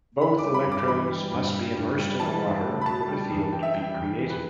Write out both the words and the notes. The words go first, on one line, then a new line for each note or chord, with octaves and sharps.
Both electrodes must be immersed in the water for the field to be created.
D3 B5
D6
G3
B5
G2
D6
E3 B5
G3
G2
G3
G2
G3
E3 A5
G3
A2
B5
B2 A5
G3
E2
E3 G5
E5
G3 G5
E2
E3
B4